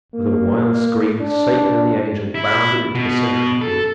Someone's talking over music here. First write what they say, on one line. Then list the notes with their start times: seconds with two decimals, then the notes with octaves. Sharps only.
With a wild scream Satan and the Angel bounded into the center of the field.
0.14 A#3
1.21 D4
2.35 E4
2.95 B2
3.61 A4